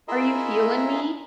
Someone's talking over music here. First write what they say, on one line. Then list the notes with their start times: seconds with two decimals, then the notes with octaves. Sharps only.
Are You Feelin' Me?
0.08 E4 F4 G#4 A#4 D#5 E5